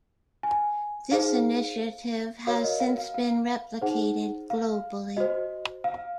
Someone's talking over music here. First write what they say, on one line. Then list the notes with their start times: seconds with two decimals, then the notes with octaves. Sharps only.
This initiative has since been replicated globally.
0.43 G#5
1.11 D#4 G#4 C5 F5
2.47 F#4 A#4 C#5 F5
2.64 D#5
2.80 F5
2.98 F5
3.14 F5
3.81 D#4 G#4 C5 F#5
4.50 F5
5.17 F#4 C5 D#5
5.84 F5